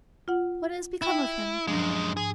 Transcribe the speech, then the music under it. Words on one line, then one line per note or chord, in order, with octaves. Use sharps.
"What has become of him?"
F4 F#5
E4 G5 B5
F#2 F3 G#3 D4
G#2 G#4